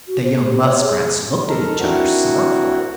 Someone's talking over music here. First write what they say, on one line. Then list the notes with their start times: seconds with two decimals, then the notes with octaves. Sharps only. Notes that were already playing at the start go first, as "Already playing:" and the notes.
The young Muskrats looked at each other sorrowfully.
0.08 F#4
0.23 C5
0.45 G4
0.64 C#5
0.82 G#4
1.49 D#4 A4 A#4
1.80 C4 D4 E4 F#4 A#4